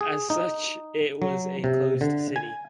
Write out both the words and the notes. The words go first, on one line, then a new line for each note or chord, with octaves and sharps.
As such it was a closed city.
G#4
D#4
F#3
C3
D3
G#5